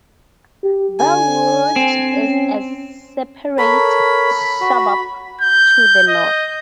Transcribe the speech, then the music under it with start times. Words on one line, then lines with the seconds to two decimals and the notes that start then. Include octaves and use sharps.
Burwood is a separate suburb, to the north.
0.63 G4
1.00 D3 G#5
1.76 C4
2.14 C#4
3.58 A4 A#4 C#5 B5
4.61 F#4
5.41 G6
6.08 D#5